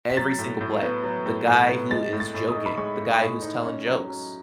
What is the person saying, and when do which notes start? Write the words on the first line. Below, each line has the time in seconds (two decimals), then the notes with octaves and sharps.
every single play. The guy who is joking, the guy who's telling jokes.
0.10 B6
0.17 F#3 A6
0.39 A2
0.61 A2
0.82 B3
1.03 F#3
1.26 A2
1.48 A2
1.69 B3
1.91 G#3 A6
2.13 A2
2.20 A6
2.34 A2
2.49 D#6
2.56 D#4
2.66 B5
2.78 G#3 C#6
2.99 A2
3.21 A2
3.42 D#4
3.64 C#4
3.87 F#3
4.08 F#3